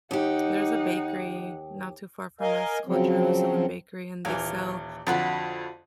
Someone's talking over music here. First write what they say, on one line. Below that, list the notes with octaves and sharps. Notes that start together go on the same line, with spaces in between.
there's a bakery not too far from us called Jerusalem Bakery and they sell,
D#2 D#4 G4 F#5
A#4 D#5 F5 G#5
C#3 F3 F#3 C4
D#1 E3 F5 G#5
F2 D3 F4 F#4 B5